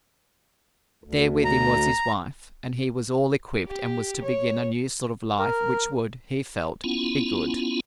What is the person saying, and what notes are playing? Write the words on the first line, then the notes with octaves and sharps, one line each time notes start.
There with him was his wife, and he was all equipped and was to begin a new sort of life which would, he felt, be good.
D2
A#5
G4
C#5
A#4
B3 C#4 E4 F4